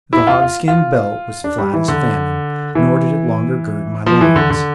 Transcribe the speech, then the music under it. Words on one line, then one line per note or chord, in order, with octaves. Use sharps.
The hogskin belt was flat as famine, nor did it longer gird my loins.
E4
F4
F4
F4
D4
G3
E3
D3
E3
F3
E3
D3
D3